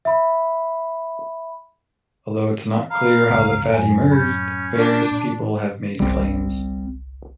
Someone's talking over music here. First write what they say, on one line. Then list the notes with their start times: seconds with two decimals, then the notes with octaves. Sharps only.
Although it's not clear how the fad emerged, various people have made claims.
0.05 E5 B5
2.90 F5 A#5 B5
3.29 G1 C#2 G#2 A#5
3.74 F#2 A2 G#5
4.12 C#4 B5 G6
4.77 D4
5.11 A#2
6.00 G1 C2 G3 C4